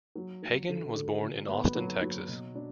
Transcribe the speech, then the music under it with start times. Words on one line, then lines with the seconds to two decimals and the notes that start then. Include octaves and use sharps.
Hagan was born in Austin, Texas.
0.15 F#3
0.43 F#3
0.69 D3
0.95 D3
1.22 D3
1.48 B3
1.75 F#3
2.01 F#3
2.28 B2
2.55 D4